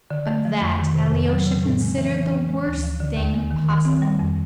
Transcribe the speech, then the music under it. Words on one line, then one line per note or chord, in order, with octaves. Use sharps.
But that Alyosha considered the worst thing possible.
D3
A3
F3
F2
D#3
C3
F2
F#3
C#3
A2
G#3
E3
E3
C#4
G#3
D2
F3
D3
D#2
G#3
D#3
D#3
C4
G3
F2